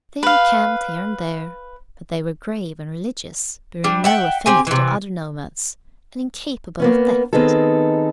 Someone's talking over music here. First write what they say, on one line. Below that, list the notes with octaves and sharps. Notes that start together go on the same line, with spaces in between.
They encamped here and there, but they were grave and religious, bearing no affinity to other nomads, and incapable of theft.
B4 F5
G3 D4
E5 F#5 G5
C4 G4 G#5
C3 E3
A#3 B3 C#4
D#3 B3 C4 D#4 G#4 A4